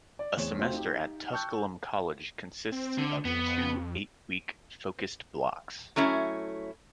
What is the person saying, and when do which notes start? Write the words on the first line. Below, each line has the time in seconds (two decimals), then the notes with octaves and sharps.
A semester at Tusculum College consists of two eight-week Focused Blocks.
0.19 D5
0.37 E2 A2 C4 C#5 E7
0.58 F3 A3 C4 F4 F#4
0.73 D#4 G4
1.32 G5 A5 C#6 E6 F#6 G6
2.72 C4
2.98 D3
3.25 F2 B3
5.96 F#3 A3 C#4 E4